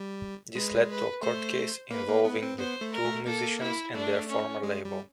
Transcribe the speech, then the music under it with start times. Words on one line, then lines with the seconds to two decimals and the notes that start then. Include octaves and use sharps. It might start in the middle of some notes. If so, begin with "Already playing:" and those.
This led to a court case involving the two musicians and their former label.
Already playing: G3
0.56 G#3 B4
0.90 B4
1.23 A3 C5
1.91 A#3 B4
2.09 A#3
2.25 B3
2.43 C4
2.59 B3 C5
2.81 A3
2.93 A#4
3.05 A3
3.26 A#3 A4
3.61 E4
3.95 A3 D4
4.29 C#4
4.63 G#3
4.85 G3